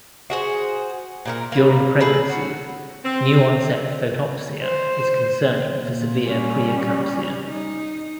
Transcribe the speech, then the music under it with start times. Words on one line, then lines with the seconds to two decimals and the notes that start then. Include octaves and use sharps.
During pregnancy, new-onset photopsia is concerning for severe preeclampsia.
0.30 F#4 G#4 C5
1.26 A#2 G4 A#4
1.52 G3 A#3
2.00 G#4 A4 B4
2.29 F#4
3.04 C4
4.62 C5
5.82 A#2
6.24 G3 C#4
7.46 D#4